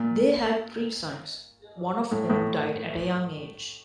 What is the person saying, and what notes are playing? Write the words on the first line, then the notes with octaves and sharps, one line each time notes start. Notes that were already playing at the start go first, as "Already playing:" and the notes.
They had three sons, one of whom died at a young age.
Already playing: A#2
A2
A2